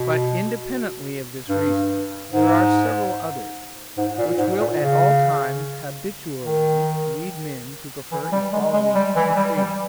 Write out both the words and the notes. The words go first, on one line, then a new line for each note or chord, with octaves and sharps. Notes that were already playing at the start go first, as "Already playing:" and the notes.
But independently of this reason there are several others, which will at all times habitually lead men to prefer equality to freedom.
Already playing: B2
G2
G#2
G#2
A#2
G#2
A#2
C#3
D#3
E3
G3
G#3
G#3
G3
E3
G3
G3